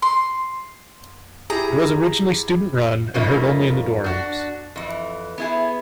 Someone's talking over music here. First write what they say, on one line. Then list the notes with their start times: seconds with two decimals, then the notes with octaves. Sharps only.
It was originally student-run and heard only in the dorms.
0.02 C6
1.50 E4 G4 G#4 A#5
3.14 G2 C#3 F3 A3 A#3 D#4
4.04 D4 F#4
4.76 F2 E3
5.38 B3 E4 G#4